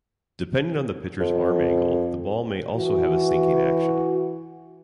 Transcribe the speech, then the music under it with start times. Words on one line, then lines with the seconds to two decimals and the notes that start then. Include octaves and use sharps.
Depending on the pitcher's arm angle, the ball may also have a sinking action.
1.20 F2
2.75 E3 F#4